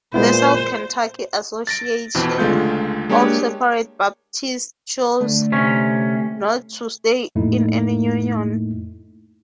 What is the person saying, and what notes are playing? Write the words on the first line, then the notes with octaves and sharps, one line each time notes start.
The South Kentucky Association of Separate Baptists choose not to stay in any union.
A#2 G#3 B3 E4 C5
A6 A#6 D7
F2 B2 E3 C4
C#2 D3 G#3 A3 F4 G6
G#3 A#3 D4 G4 C#5
D3 A3
C3 C#4
F2 A2 A3 A#3 D#4 E4